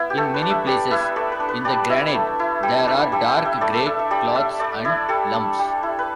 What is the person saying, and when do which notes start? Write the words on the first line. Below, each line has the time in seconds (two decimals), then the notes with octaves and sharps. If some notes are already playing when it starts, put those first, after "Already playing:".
In many places in the granite there are dark grey clots and lumps.
Already playing: B3 E4
0.10 G4
0.17 A3 A4
0.34 B4
0.42 D4
0.50 E5
0.67 G3 D5
0.91 B3 E4 E5
1.16 A3 D5
1.32 B4
1.40 D4
1.48 B4
1.65 G3 D5
1.89 E4 E5
2.15 A3
2.39 E4
2.63 G3 G5
2.87 D4 E5
3.12 G3 E5
3.28 G5
3.37 E4
3.45 E5
3.61 A3 D5
3.74 A4
3.86 D4 E5
3.99 E5
4.11 G3 D5
4.35 D4 E5
4.59 A3 D5
4.85 E4 D5
5.08 G3 A4
5.33 D4
5.59 G3
5.83 E4
5.99 B4